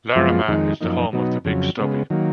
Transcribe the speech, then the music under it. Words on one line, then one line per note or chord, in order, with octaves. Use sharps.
Larrimah is the home of the Big Stubby.
F#2 F3 G#3 B3 F4
F2 D#3 G#3 D#4
F#2 F3 A#3 D#4
B2 F#3 B3 D#4
F2 C#3 F#3
C#3 G#3 B3
D#3 F#3 A#3